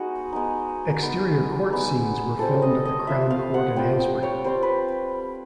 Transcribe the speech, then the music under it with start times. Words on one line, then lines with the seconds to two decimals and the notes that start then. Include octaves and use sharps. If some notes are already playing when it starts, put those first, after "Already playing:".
Exterior court scenes were filmed at the Crown Court in Aylesbury.
Already playing: G#3 B3 D#4 F#4
0.33 G#3 B3 D#4
1.02 G#3 B3 D#4
1.70 G#3 B3 D#4
2.39 G3 C4 F4 A4
2.62 D#5
2.85 D#5
3.07 G3 C4 F4 E5
3.30 F5
3.54 F#5
3.76 G3 C4 F4 G5
4.00 G5
4.23 C#5
4.44 G3 C4 F4 C5
4.63 B4